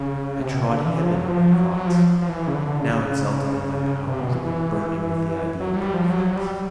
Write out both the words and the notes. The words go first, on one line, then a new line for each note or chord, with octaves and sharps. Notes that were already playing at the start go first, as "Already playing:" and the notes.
I trod heaven in my thoughts, now exulting in my powers, now burning with the idea of their effects.
Already playing: C#3
C3
B2
D3
E3
F3
F#3
F3
F#3
F#3
F3
F3
E3
C#3
D3
C#3
C3
B2
E3
E3
F#3
F#3
G3
F3
F#3
G3